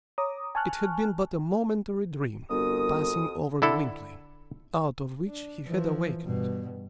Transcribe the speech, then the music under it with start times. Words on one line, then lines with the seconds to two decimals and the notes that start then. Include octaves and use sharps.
It had been but a momentary dream passing over Gwynplaine, out of which he had awakened.
0.18 C#5 A#5 D6 D#6
0.55 G#5 A5 C#6 F6 F#6
2.50 G1 F2 F#4 A#4 D#6
3.62 D3 E4 A4
5.28 D4
5.67 E3 F3
6.23 G2 B2